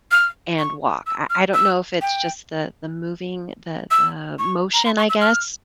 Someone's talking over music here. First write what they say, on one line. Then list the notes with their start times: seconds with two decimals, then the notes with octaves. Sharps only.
and walk, I I don't know if it's just the the moving, the the motion, I guess?
0.11 F6
0.59 C#6
1.07 E6
1.30 F6
1.54 E6
2.01 G5
3.91 E6
4.39 C#6
4.74 A#5
4.85 C6
4.97 C#6
5.09 E6
5.21 F6